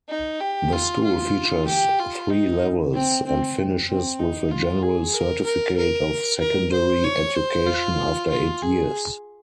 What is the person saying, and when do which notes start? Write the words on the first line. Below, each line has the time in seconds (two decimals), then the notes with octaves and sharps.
The school features three levels and finishes with a general certificate of secondary education after eight years.
0.09 D#4
0.40 G4
0.72 F4
1.04 F4
1.67 G4
1.99 F4
2.30 D#4
2.93 C4
3.25 C4
3.88 C4
4.19 D#4
4.52 F4
4.83 G#4
5.14 A#4
5.45 A#4
5.78 A#4
6.40 A#4
6.72 C5
7.04 C#5
7.35 C5
7.67 F4
8.30 F4
8.62 G#4